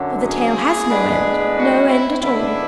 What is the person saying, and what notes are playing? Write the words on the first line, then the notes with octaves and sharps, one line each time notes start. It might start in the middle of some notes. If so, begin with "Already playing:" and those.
For the tale has no end, no end at all.
Already playing: F#2 D3 F#3
G#4
A2 G#3 B3 D4
F#4
E4
D3 G#3 B3 D4 E4